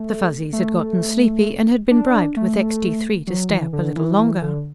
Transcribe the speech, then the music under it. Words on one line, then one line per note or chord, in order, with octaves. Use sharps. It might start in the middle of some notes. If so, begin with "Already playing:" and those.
The Fuzzies had gotten sleepy, and had been bribed with Extee Three to stay up a little longer.
Already playing: A3
A3
D4
A3
F#3
E3
D3
E3
E3
D3